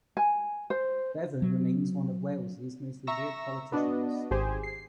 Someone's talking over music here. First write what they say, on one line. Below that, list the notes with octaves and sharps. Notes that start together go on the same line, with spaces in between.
Bevan remains one of Wales' most revered politicians.
G#5
C5
F#3
E5 A#5 C#6 E6 A#6
B3 D4 F#4 D#5
G#1 G4 G#4 C5 G#5
C7